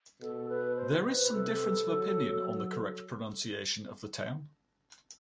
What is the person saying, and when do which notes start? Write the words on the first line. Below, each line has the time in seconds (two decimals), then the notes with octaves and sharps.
There is some difference of opinion on the correct pronunciation of the town.
0.22 B2 A4
0.49 B4
0.77 C5
1.03 B4
1.32 C3 A4
1.86 F#3